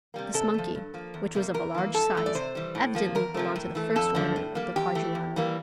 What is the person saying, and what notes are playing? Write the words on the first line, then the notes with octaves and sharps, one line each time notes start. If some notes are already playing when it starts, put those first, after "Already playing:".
This monkey, which was of a large size, evidently belonged to the first order of the quadrumana.
C3 G3 A#3
C3 A4
F3 A3
G2
F3 A#3
E2
C3 G3 A#3
E2 A#4
E3 A#3
G2 A4
E3 A3
D5
C3 C5
E3 G3
A2
F3 A#3
E2 A#4
C3 F3 A3
A2
E3 A3
F2 A4
D3 F3 A3
A2
G3 A#3
E2 G4
E3 A3
E2
E3 G3 A#3